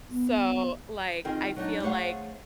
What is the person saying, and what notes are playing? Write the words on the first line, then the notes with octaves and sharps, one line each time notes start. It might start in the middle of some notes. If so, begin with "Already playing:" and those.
so, like, I feel like
B3
D#3 C4 F4 G#4 G5
F#3 D4 D#4
A3 G#4 C5 C#5 F5 F#5